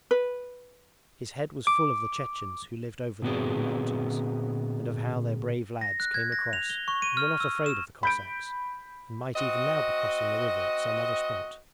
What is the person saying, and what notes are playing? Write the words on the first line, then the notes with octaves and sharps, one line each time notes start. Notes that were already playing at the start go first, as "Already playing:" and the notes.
His head was full of the Chechens who lived over there in the mountains, and of how their brave lads came across and were not afraid of the Cossacks, and might even now be crossing the river at some other spot.
B4
D6
A#2 D3 B3 C4 F#4 G#4
A#6
F#6
G#6
A#6
F7
G7
C#6
D#7
F6
E6
E7
B5 G6 D7
C4 F#4 D#5